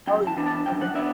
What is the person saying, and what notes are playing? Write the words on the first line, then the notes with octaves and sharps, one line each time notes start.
Oh, you okay.
F#2 G5
A5
E3 B3 D4
A5
F#2 G5
F#5
B3 D4 E5